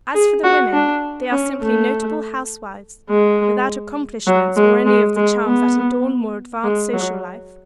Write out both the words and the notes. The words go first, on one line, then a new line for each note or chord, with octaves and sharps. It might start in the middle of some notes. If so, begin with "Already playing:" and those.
As for the women, they are simply notable housewives; without accomplishments or any of the charms that adorn more advanced social life.
G#4
F#4
D4
C#4
A3
G#3
F#3
G#3
G#3
G#3
B3
G#3
F#3